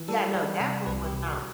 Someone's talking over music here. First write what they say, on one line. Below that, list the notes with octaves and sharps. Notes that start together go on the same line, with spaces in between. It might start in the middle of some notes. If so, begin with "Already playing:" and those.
Yeah, no, that one was not,
Already playing: E3
G3 A4
G3
C3
C2 B4
G4
C2
F#4